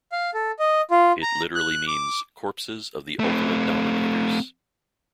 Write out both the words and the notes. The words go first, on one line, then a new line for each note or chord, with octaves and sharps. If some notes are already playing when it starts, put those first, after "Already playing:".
It literally means "corpses of the ultimate dominators".
F5
A4
D#5
F4
A#5
F#6
D6
A3 C4